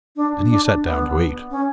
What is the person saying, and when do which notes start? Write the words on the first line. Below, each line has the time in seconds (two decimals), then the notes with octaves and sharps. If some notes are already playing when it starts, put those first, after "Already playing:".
Then he sat down to eat.
0.16 D4
0.50 D4
0.83 B3
1.50 C#4